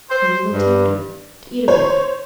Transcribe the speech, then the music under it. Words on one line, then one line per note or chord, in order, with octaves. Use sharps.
Maybe they'll tempt her to eat a bit.
C5
G2
C5 C#5